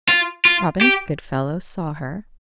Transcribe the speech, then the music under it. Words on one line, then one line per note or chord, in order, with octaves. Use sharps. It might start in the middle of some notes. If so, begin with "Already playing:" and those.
Robin Goodfelllow saw her.
F4
F4
G4